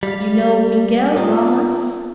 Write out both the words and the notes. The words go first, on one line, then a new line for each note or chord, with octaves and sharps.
You know Miguel Ramas?
G3 G4 F5
A#2 A4 D#6